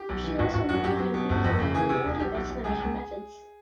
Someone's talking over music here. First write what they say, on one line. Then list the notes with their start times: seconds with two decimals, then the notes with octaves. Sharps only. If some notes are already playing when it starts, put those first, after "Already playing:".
She also worked on improving the reliability of explanation methods.
Already playing: G4
0.09 B1
0.24 E3
0.39 G#1 F#4
0.47 F4
0.54 G#1 F#4
0.69 F#2 F#4
0.84 F#3 G4
0.99 F#3
1.14 B2
1.29 G1
1.44 F2
1.59 C#3
1.74 E3 G#4
1.89 C3
2.04 E1
2.14 G#4
2.19 B1 G4
2.34 B1
2.49 B1
2.64 C#2 G#4
2.79 C#2